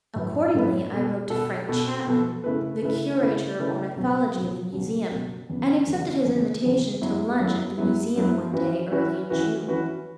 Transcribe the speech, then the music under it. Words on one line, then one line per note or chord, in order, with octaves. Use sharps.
Accordingly, I wrote to Frank Chapman, the curator of ornithology of the museum, and accepted his invitation to lunch at the museum one day early in June.
A2 F#3 A3 E4 B4
A2 F#3 A3 E4 B4
B2 B3 A4
B2 B3 A4
B2 B3 A4
B2 B3 A4
C#3 A3 E4 B4
C#3 A3 E4 B4
C#3 A3 E4 B4
C#3 A3 E4 B4
C#2 B2 F#3
C#2 B2 F#3
C#2 B2 F#3
C#2 B2 F#3
E2 C#3 F#3 B3
E2 C#3 F#3 B3
E2 C#3 F#3 B3
E2 C#3 F#3 B3
F#2 F#3 B3 E4
F#2 F#3 B3 E4
F#2 F#3 B3 E4
F#2 F#3 B3 E4
E3 C#4 F#4 B4
E3 C#4 F#4 B4
E3 C#4 F#4 B4
E3 C#4 F#4 B4